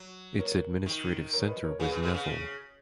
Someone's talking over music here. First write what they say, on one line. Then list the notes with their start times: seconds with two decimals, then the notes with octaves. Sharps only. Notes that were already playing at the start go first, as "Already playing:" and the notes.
Its administrative centre was Nevel.
Already playing: F#3
0.39 A#4 C#5
0.86 D#3
1.33 A#4 C#5
1.48 B4 D#5
1.64 A#4 C#5
1.79 C#3 G#4 B4
1.92 B2
2.03 B2
2.14 C#3